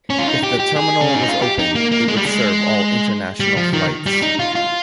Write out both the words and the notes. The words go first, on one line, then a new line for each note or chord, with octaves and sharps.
If the terminal was opened, it would serve all international flights.
C#4
F4
D#4
G4
G4
G#4
C#4
D#4
F4
G4
D#4
A#3
A#3
G#3
G3
G#3
G3
F3
D#3
G3
D#4
F4
F4